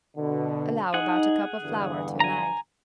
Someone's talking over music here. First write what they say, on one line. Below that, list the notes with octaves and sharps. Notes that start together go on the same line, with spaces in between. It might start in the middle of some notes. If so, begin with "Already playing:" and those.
Allow about a cup of flour to an egg.
B2 D3
D#4 G#4 F#5
E2 G2 D3
G#5 A#5